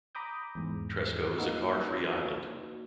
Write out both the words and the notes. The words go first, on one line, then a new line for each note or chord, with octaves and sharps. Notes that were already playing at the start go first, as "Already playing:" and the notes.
Tresco is a car-free island.
A#5 B5 D6 D#6 G6
E2 G#2
A#3 D#4 F#4 B4